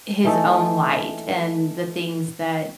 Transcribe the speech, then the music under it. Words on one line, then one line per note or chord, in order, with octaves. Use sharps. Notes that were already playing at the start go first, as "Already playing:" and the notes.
his own light and the things that,
E3 A3 D#4 G#4 A4